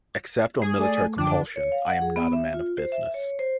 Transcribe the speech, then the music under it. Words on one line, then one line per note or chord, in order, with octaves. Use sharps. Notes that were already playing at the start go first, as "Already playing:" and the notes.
Except on military compulsion, I am not a man of business.
G#4
A3 A4 D5 G#5
F#2 D3 F3 D4 G5 D6
C#5
F5
F#5
G#4
B3
E5
F4
C5
E5
C#5
C5